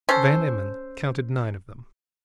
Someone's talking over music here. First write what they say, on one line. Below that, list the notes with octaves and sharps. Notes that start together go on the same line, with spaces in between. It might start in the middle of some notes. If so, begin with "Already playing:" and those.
Van Emmon counted nine of them.
C#4 A4 C5